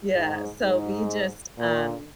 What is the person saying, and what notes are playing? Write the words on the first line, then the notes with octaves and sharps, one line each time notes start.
yeah, so we just, um
G#2
G#2
A#2